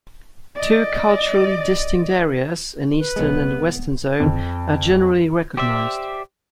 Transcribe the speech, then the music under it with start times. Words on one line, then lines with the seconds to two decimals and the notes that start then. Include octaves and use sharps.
Two culturally distinct areas, an eastern and a western zone are generally recognised.
0.56 D5 D#5
2.99 B4
3.16 B1 G#3 B3
4.20 F2
5.57 G4 C5 D5 E5